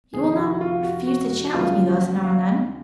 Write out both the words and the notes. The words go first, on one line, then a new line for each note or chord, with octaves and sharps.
"You will not refuse to chat with me thus now and then?"
F1 F2 D#3 G#4
F#4
F4
F#4
F#4
F#4
D#2 C#3 F#3 A#3 F4
F#4
F5